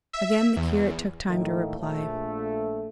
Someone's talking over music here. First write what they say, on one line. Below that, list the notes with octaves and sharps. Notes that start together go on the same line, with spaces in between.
Again the curate took time to reply.
E5
E2
A2 D#3 A3 A#3
A#1 A3